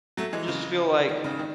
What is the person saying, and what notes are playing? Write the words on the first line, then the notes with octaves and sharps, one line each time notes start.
I just feel like,
F#3 A3
E3 G#3
C#3
D#3
C#3
D#3